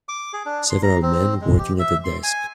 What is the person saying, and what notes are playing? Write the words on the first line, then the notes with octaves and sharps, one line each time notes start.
Several men working at a desk.
D6
G#4
D4
C6
A#5
C4
G#3
G4
E5
C6
G#5